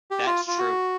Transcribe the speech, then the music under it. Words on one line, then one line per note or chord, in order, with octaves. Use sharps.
That's true.
G4
F4
F4
F#4